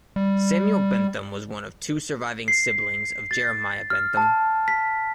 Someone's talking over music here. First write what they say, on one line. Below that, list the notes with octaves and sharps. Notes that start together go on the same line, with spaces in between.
Samuel Bentham was one of two surviving siblings of Jeremiah Bentham.
G3
C7
A6
F6
A5
B6